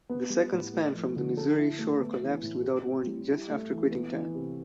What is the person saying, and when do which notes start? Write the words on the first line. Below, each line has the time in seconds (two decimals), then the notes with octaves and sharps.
The second span from the Missouri shore collapsed without warning just after quitting time.
0.09 B3
0.30 G3
0.52 A2
0.73 A3
0.94 F3
1.16 D3
1.37 A4
1.58 E4
1.79 A3
2.00 B3
2.22 E3
2.43 A2
2.64 G4
2.86 C4
3.07 G3
3.29 E4
3.49 A3
3.71 E3
3.91 B3
4.13 E3
4.35 C3